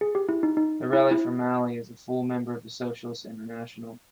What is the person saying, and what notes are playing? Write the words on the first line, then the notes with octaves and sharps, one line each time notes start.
The Rally for Mali is a full member of the Socialist International.
G#4
G4
E4
D#4
D#4
E4
E4